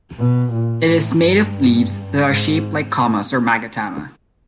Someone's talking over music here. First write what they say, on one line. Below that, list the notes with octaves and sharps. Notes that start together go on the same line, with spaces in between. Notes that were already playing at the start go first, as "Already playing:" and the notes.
It is made of leaves that are shaped like commas or magatama.
B2
A#2
A2
G2
G#2